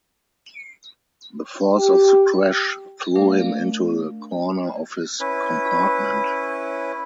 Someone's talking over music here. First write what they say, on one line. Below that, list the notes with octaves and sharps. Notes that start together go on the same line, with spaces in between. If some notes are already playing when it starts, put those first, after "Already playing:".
The force of the crash threw him into the corner of his compartment.
G4
A3 D4 A#4 D5 F5
C#4 E4 B4